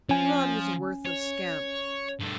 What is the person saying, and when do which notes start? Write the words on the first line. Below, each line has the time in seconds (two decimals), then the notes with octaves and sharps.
Rod was a worthless scamp.
0.09 F3 C#4 G#5
1.06 C#5
2.20 G2 A3